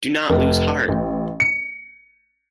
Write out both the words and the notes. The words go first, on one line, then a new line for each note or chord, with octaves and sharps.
Do not lose heart!
F1
A1
C#7